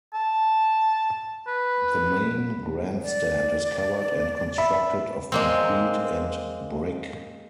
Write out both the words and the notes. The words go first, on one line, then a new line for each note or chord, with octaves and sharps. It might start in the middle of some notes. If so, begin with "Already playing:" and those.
The main grandstand is covered and constructed of concrete and brick.
A5
B4
D5
E5 B5
G#3 A#3 C4